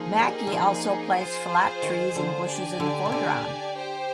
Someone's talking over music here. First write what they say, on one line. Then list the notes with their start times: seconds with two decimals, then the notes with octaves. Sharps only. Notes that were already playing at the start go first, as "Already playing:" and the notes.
Macke also placed flat trees and bushes in the foreground.
Already playing: F3 A#3 D#4 G#4
0.19 G3
0.47 G3
0.52 F3
1.17 F4 G#4 C5
1.82 D#3
2.15 D3
2.47 D4 G4 D5 G#5
2.80 D3
3.06 C3
3.12 D3
3.77 G4 C5 G5